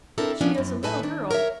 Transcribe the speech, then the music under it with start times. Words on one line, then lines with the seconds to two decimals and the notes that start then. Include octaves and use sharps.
She is a little girl.
0.18 C4 D4 E4 A4 A#4
0.41 F3 B3 C#4 D4
0.54 F#2 E3
0.83 A2 F#3 A4 B4 G#5 A5
0.99 D#3 D4
1.31 A#4 C#5 E5